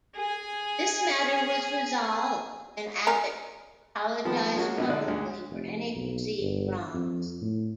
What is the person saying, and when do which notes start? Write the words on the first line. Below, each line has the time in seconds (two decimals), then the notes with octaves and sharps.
This matter was resolved when Abbott apologized publicly for any perceived wrongs.
0.15 G#4 G#5
3.07 A#4 G#5 A#5
4.25 D#3 F3 G#3 B3
4.55 G#3 A#3 C#4 F#4
4.78 A#1 B2
4.89 D3 D#4 D5 F#6
5.08 D2 G#3
5.50 F1
5.95 B1
6.39 G1
6.94 F2
7.41 A2